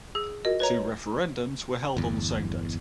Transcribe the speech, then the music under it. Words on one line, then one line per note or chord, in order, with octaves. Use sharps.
Two referendums were held on the same date.
G#4 E6
F4 F#4 A#4 D#5
B4 C#5 A#5
G1 E2